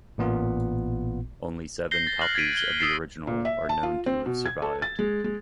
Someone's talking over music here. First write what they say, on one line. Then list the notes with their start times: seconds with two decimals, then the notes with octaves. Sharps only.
Only seven copies of the original are known to have survived.
0.18 A1 A#2 B3 F4
1.91 G6 A#6 C7 G7
2.07 A6
2.21 F6 F#6 A#6 F#7
2.35 G#6 A6 B6 D7 D#7
2.55 G#6 G7
2.80 D#6 E6 A6 B6 C7
3.27 A#2
3.45 E5
3.69 A5
3.83 F4
4.06 C4
4.26 B2
4.46 G#6
4.62 A4
4.82 A6
4.99 G#3
5.24 G#3